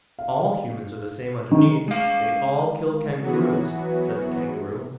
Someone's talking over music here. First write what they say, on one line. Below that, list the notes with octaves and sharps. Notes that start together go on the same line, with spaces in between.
"All Humans are the same underneath, they all kill kangaroos," said the Kangaroo.
F5
D#3
G#3 F5
E3 F#3 B3 F#4